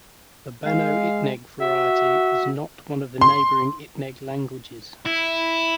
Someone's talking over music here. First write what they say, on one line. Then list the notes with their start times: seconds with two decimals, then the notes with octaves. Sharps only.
The Banao Itneg variety is not one of the neighboring Itneg languages.
0.66 G#3 F5
1.61 F#4 E5
3.21 C6
5.06 E4